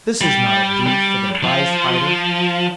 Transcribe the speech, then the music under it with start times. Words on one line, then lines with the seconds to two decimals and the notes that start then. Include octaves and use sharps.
This is not a brief for the prize-fighter.
0.21 G3
0.87 G3
1.43 F3